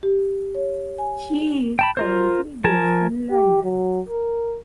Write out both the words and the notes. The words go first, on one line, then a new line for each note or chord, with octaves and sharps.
She is currently based in London.
G4
C#5
G#5
G5 A5 B5
F4 A#4 C5
F3 A#4 G#5 A5
G4
F#3
A#4